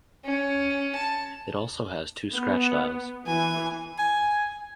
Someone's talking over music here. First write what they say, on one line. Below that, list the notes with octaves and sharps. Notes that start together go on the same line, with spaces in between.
It also has two scratch dials.
C#4
A5
B3
E3 G#5
G#5